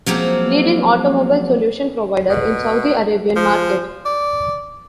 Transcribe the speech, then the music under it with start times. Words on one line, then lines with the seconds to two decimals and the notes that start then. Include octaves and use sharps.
Leading automobile solution provider in Saudi Arabian market.
0.06 F3 F#3 G#3 A#3 C4
2.29 B2
3.36 F3
4.05 D5